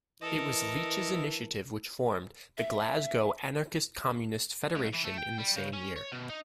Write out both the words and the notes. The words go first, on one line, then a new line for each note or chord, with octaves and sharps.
It was Leech's initiative which formed the Glasgow Anarchist-Communist Federation in the same year.
E3 A4 A#4 D#5
E5
C#2
E3
A3
G5
G3
C#3
C#4
C#5
B2
D#4